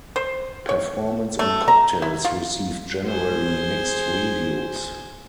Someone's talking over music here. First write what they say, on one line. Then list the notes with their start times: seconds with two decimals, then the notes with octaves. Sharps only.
"Performance and Cocktails" received generally mixed reviews.
0.16 C5
0.69 C#5
1.39 A3
1.68 A#5
2.02 E4
2.25 F4
3.06 G#4 C5